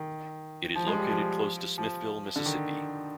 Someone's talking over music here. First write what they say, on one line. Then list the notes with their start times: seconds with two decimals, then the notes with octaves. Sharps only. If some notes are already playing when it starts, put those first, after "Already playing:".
It is located close to Smithville, Mississippi.
Already playing: D#3
0.76 F3
0.87 G#3
0.99 G3
1.10 F3
1.78 F3
2.36 D3
2.46 D#3